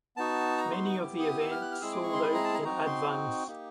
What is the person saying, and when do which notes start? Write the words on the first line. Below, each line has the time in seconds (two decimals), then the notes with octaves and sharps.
Many of the events sold out in advance.
0.16 B3 D#4 F#4 A5
0.58 A#5
0.71 C6
0.85 C#6
0.99 B3 E4 G4 D6
1.20 D#6
1.40 E6
1.51 F6
1.62 F#6
1.72 F6
1.81 G#3 C4 E4 G#4 E6
1.92 D6
2.03 C#6
2.13 C6
2.23 B5
2.34 A#5
2.44 A5
2.54 A#5
2.64 C4 D#4 F#4 A#5
2.86 C6
3.48 A#3 D#4 G4